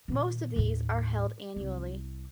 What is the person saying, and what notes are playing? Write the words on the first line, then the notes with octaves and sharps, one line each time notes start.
Most of these are held annually.
A#2 D#3
D#2 A2
C2 E4